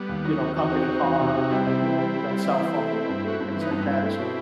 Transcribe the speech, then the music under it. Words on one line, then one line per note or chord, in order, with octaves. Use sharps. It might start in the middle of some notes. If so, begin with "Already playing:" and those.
you know, company car and, you know, even cell phone and and things like that, so
Already playing: G3 B3
D#2
F#3 D#4 F#4
C4
E2 D#4 F#4
C4
C4
E2
C3
C3
G3 C4 E4
C3
E3
G3
G3
G3
E3
E3
A3
A3
G2
A3 F#4
G2 C4 E4
E4
E3
B3 D#4
G2
C4 E4
G2
A3
B2